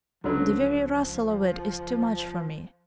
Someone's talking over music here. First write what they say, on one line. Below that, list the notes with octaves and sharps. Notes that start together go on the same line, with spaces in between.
The very rustle of it is too much for me.
C#2 D3 F3 F#3 C#4 A4 B4